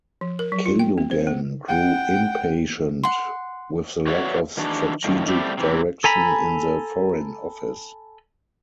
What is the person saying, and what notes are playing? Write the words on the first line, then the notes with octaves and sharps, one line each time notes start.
Cadogan grew impatient with the lack of strategic direction in the Foreign Office.
F3
A#4
F#3
F4
G5
C4
C5
B3
F#5 G5
F#5 C6
F#4 B4 C#5 D5 E5 F#5
D#3 E3 D4 F#4 G#4
A2 D#3 F3
G3 A3 C4
C3 E3
A4 G#5 A#5 B5